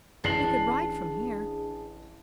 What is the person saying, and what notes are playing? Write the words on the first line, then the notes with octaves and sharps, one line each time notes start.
"We could ride from here."
A1 D4 G#4 C7 F#7